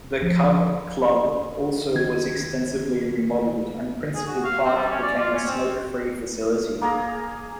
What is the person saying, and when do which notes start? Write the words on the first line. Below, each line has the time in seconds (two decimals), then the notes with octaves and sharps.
The Cub Club also was extensively remodeled and Principal Park became a smoke-free facility.
0.21 F3
1.94 C#2 D#3 G#6
4.15 G#4
4.27 F#4
4.44 F5
4.64 C4
4.76 G3
4.91 C#4
5.03 D5
5.19 F4
5.34 C#4
5.47 C4
6.81 A#3 G#4 A#5 D#6